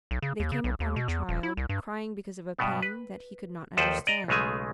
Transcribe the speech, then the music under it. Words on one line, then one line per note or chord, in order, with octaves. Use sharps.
They came upon a child crying because of a pain that he could not understand.
B1
C#3
D#2
C#3
B1
D#2
B2
E2
D#1
E4
C2
G2
G2 B2 B3
B4
D#2 F3 A4 B4 C5 D5
D5 D#5 A#5
B1 C#3 G#3 A3 G#5